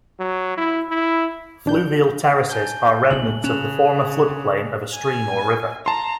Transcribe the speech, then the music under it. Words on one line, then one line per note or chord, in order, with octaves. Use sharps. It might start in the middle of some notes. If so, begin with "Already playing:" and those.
Fluvial terraces are remnants of the former floodplain of a stream or river.
F#3
E4
E4
A1 D4 G6
G#5 A5 G6 G7
F#1 B1 A#2 F#7
C#3 C#4 G#4 F#6 E7 F7
G#5
A5 A#5 C6